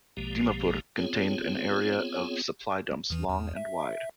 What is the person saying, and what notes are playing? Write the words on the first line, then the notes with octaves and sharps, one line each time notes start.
Dimapur contained an area of supply dumps long and wide.
A#1 B2 F3 G#3 A#3 G4
B3 C4 F4 G#4 C#5
E2 E3
E2
E5